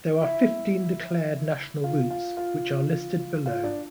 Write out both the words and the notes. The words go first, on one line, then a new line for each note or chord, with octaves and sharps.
There are fifteen declared national routes, which are listed below.
E4 E5
F4 F5
F4 F5
F4 F5
F4 F5
D4 D5